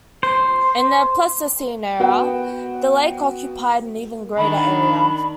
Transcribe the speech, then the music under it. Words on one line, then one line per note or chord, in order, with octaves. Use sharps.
In the Pleistocene era, the lake occupied an even greater area.
C5
B3 F#4 G5
D#3 D4 B5